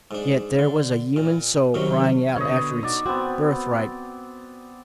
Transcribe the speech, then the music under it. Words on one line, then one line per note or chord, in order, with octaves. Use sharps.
Yet there was a human soul crying out after its birthright.
G#2 D4
D3
A#2
F#2 C3 D#3 F#3
B2 D3 C#5 D#5
D#4 F#4 D5 E6
B3 C4 F#4